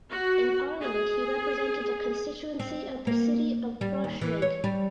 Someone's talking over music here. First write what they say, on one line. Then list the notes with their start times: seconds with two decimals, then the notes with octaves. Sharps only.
In parliament he represented the constituency of the city of Braunschweig.
0.10 F#4
0.81 G#4
2.60 C4
3.07 A#3
3.81 G3
4.04 D#2
4.21 E3
4.42 C#5
4.64 G3